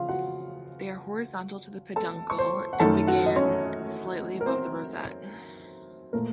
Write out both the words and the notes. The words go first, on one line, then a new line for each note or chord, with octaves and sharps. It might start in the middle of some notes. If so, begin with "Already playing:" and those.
They are horizontal to the peduncle and begin slightly above the rosette.
Already playing: C#3 F3 F4 F5
F#4 F#5
A4 A5
C#6
C5 C6
F#5
F#2 D#3 A3 A4 A5
F#4 F#5
D#5
C#4 C#5
A#4
C4 C5
A#2 A3 A#4